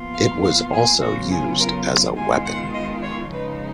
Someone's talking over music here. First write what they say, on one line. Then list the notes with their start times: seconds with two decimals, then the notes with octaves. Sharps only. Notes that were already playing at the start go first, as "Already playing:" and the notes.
It was also used as a weapon.
Already playing: A#2 F3 B3 F4
0.14 F5
0.43 F5
0.72 G#4
1.01 C#3 F#3 B3 F4 F#4
1.30 G#4
1.59 A#4
2.16 D#3 G#3 B3 F4 G#5
2.45 F#5
2.74 D#5
3.03 C#5
3.31 C#3 F3 G#3 D#4 B4